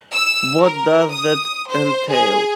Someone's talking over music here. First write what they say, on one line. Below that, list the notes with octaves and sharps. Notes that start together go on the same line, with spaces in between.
What does that entail?
E6
A#4
D#6
C5
G#4